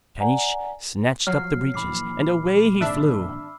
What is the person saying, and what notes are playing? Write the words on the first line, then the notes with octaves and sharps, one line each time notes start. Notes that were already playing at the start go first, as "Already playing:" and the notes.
Caniche snatched up the breeches, and away he flew.
D5 F#5 G#5 A#5
F3 F#3 F6 C7
A#1 A#2 E3 B5 D6 C7
G#1 D4 E5 E6